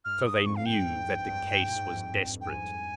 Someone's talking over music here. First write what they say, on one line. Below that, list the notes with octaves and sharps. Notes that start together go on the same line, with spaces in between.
So they knew that the case was desperate.
G2 F6
D#6
F2 G#2 C#6
F5
G5
F2
G2
A#2
G#2
G2
F2 G#2
G5
F2 G#2 G#5